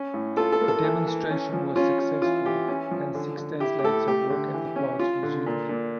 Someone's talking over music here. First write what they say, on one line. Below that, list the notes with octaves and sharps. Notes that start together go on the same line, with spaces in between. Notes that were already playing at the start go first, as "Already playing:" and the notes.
The demonstration was successful and six days later work at the plants resumed.
Already playing: C#4
A2
F4 A4
A4
A#3
A4
E3
E3
C#4
F3
C#4 F4
F4
E3 F4
E3 G4
C#4
F3
D3
D3
E4 G4
G4
A2 A4
A3 G4
D3
E3
C#4
F4
D3
A#2
A#2